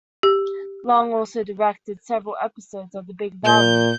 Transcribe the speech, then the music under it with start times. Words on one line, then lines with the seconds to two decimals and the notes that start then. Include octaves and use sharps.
Long also directed several episodes of "The Big Valley".
0.23 G4
3.44 A#2 G6